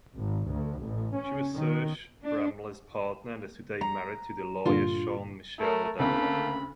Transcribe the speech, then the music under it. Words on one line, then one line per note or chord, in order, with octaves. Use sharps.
She was Serge Bramly's partner and is today married to the lawyer Jean-Michel Darrois.
G#1
D2
A1
C#4
D#3
D4
A#5
G2 A#2 D3 F4
A3 A#4
D2 C#3 A3 A#3 C4 B5